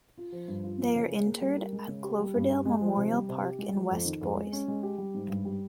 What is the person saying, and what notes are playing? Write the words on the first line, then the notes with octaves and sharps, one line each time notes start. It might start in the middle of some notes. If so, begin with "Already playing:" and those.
They are interred at Cloverdale Memorial Park in west Boise.
F4
F3
G2
F4
F3
C#3
G#4
A#3
G3
A#4
G#3
C#3
G4
G3
G2
G4
G#3
F3
C3
G3
C3
G4
G#3
F3
F2
D#3
F2
G#3
C#4
G#3
G4
G3
G#2
G2
G3